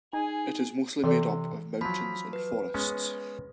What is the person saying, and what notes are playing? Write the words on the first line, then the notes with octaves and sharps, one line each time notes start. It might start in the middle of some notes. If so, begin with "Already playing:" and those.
It is mostly made up of mountains and forests.
D#4 G#4 G#5
C3 E3 A4 D5
F3 F#3 B5 B6
B4
G#3 B3 C#4